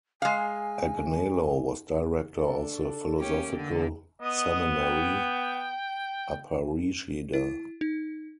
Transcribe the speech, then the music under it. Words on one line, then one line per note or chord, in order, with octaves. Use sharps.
Agnelo was director of the philosophical seminary, Aparecida.
G#3 F5 G#5
D4 A4
D#3 A#3 C#4 G4
D3
B3 D#5
G5
E4
D#4